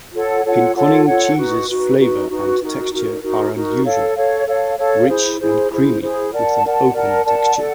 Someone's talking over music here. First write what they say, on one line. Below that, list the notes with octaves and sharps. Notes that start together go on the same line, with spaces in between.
Pinconning cheese's flavor and texture are unusual; rich and creamy with an open texture.
F4 A4 C#5 F#5
F4 A4 C#5 F#5
F4 A4 C#5 F#5
F4 A4 C#5 F#5
D#4 F#4 B4
D#4 F#4 B4
D#4 F#4 B4
D#4 F#4 B4
D#4 F#4 A#4
D#4 F#4 A#4
D#4 F#4 A#4
D#4 F#4 A#4
A4 C#5 F5
A4 C#5 F5
A4 C#5 F5
A4 C#5 F5
E4 G#4 C5
E4 G#4 C5
E4 G#4 C5
E4 G#4 C5
A#4 D5 F#5 A5
A#4 D5 F#5 A5
A#4 D5 F#5 A5
A#4 D5 F#5 A5
A4 D5 F#5